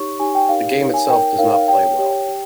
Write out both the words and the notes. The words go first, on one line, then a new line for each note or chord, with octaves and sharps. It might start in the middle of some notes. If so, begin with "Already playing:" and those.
The game itself does not play well.
Already playing: D#4 G4 C#5 C#6
D#4 G4 C#5 G#5
G5
D#4 G4 A#4 C#5 F5
D#4 G4 A#4 C#5
G#5
D#4 A#4 C#5 G5
D#4 A#4 C#5 F5
F5
G4 C#5 G5
G4 C#5
G4